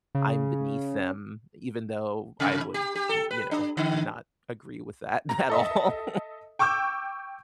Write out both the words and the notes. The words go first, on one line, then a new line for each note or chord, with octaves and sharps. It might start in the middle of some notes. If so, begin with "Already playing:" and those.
I'm beneath them, even though I would m you know, not agree with that at all.
C#3
C3
G4
G4
A4
B4
D4
D3
A#5
A4 D#5 E5
G5 C#6 D6 E6 G6